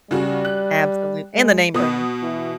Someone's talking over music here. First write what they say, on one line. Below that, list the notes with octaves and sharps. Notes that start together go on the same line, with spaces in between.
absolute and the name-brand.
C#3 G3 F#4
F#6
G#3
B2 B3 D#6
E3